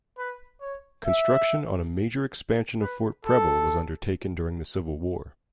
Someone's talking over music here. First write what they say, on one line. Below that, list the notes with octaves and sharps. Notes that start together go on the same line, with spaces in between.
Construction on a major expansion of Fort Preble was undertaken during the Civil War.
B4
C#5
E5
B4
A4